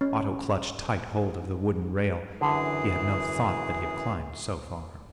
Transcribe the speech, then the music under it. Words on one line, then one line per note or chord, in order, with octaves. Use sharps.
Otto clutched tight hold of the wooden rail, he had no thought that he had climbed so far.
C#4
F#2 D3 E3 G#4